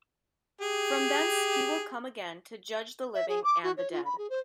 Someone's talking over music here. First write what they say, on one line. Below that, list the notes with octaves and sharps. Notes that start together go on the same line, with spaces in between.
From thence He will come again to judge the living and the dead.
G4 G#4
E5
G#4
D6
F#4
C#5
F4
B5
G#4
C5